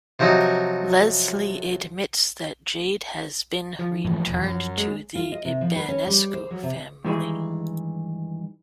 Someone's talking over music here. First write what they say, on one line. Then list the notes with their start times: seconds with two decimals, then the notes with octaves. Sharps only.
Leslie admits that Jade has been returned to the Ibanescu family.
0.19 C3 F3 F#3 D#4
3.79 F3
4.04 G#2 E3 A3
4.27 E1 D#2
4.44 F#2
4.78 G#3
5.15 F4
5.32 D#5
5.45 C3
5.61 F3
5.76 B4
5.88 C#4
6.07 G3
6.34 C5
6.51 F#3
6.63 C3
7.05 G2 D#3 E3 G#3